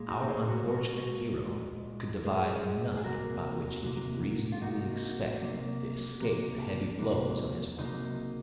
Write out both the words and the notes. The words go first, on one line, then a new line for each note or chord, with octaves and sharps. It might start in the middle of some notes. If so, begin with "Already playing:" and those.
Our unfortunate hero could devise nothing by which he could reasonably expect to escape the heavy blows of his father.
Already playing: A#2 G#3
D#4 F#4
A#4
G#4 C5
F#4 A#4
A#2 G#3 F#4 A#4
A#2 G#3
A#4
A#2 G#3 G#4 C5
G#4
C2 C3 F#3 A#3 F#4 A#4
C2 C3 F#3 A#3
F4
C2 C3 F#3 A#3 D#4 F#4
C2 C3 F#3 A#3
C#2 C3 F#3 A#3
C#2 C3 F#3 A#3
C#2 C3 F#3 A#3 C4 D#4